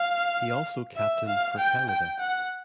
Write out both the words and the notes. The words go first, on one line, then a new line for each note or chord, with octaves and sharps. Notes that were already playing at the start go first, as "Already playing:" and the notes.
He also captained for Canada.
Already playing: F5
E5
F5
G5
G5
F#5